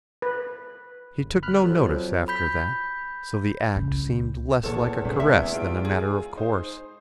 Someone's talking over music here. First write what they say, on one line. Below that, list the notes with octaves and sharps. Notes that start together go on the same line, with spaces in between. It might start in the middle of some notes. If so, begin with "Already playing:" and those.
He took no notice after that, so the act seemed less like a caress than a matter of course.
B4
G1
B5 F6 F#6
F2 F#3
B5 G6 B6
C#2 C#4
E2 A#2 F3 A4 C#5
C3 G#3 D4 G#4
E5
F4 D7
G#4
D#4 C5